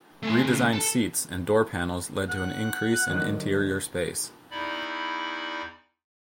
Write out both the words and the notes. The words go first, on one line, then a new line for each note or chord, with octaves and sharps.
Redesigned seats and door panels led to an increase in interior space.
A3 G#5
A2 C#3
A4
F#5
D3 D#3 F#3
E2 D#4 E4 D5 B5